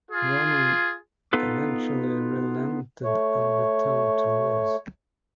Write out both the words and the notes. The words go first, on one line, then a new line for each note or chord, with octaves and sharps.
Vernon eventually relented and returned to Liz.
F4 G#4
B3 D#4 F4 A4 B4
A3 C#5